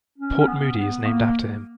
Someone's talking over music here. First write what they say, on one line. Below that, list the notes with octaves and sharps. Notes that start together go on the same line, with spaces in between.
Port Moody is named after him.
C#4
C#4
B3
B3
A#3